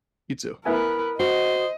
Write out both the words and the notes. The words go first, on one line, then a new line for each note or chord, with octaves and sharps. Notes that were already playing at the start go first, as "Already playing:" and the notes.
You, too.
B3 E4 A#4 B4 G#5
F#4 C5 D#5